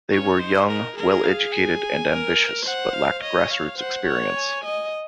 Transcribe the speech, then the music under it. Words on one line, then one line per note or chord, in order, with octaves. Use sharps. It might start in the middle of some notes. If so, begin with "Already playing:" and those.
They were young, well-educated and ambitious but lacked grassroots experience.
C#4 C#5
D#4 C5
A#4
G#4 A#4
F5
G#5
A#4
C5 F#5
F5
C#5 D#5
F5
C5 F#5
C#5
G#5
D#5